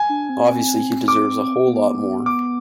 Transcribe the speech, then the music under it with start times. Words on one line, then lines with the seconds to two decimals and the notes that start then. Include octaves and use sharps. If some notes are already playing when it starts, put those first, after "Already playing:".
Obviously he deserves a whole lot more.
Already playing: G#5
0.09 D4
0.29 C4
1.08 D6
1.67 B3
2.26 D6